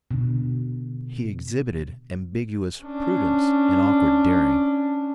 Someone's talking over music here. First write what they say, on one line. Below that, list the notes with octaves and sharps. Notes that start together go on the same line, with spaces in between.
He exhibited ambiguous prudence and awkward daring.
B2 D3
C#4 D4